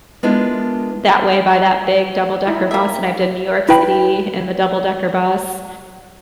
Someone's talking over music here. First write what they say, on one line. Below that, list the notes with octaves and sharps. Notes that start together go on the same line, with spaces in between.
that way by that big double-decker bus, and I've done New York City in the double-decker bus.
G#3 B3 D4 E4 F4 A#4
D#4 E4
A#3 E5
E4 B4 G5 B5